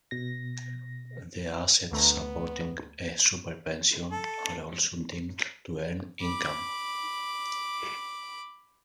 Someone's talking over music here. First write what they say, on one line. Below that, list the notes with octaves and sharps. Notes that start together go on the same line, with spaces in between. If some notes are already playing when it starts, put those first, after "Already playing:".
The assets supporting a "super pension" are also deemed to earn income.
B2 A#6
D2 A3 B3 A#5
A4
B5 D6